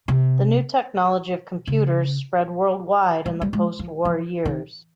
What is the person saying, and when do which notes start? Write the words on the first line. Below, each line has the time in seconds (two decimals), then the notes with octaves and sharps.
The new technology of computers spread worldwide in the post war years.
0.08 C3
1.67 C#3
3.26 G3
3.42 G3
3.53 G#3
3.79 F3
4.05 F3
4.45 D#3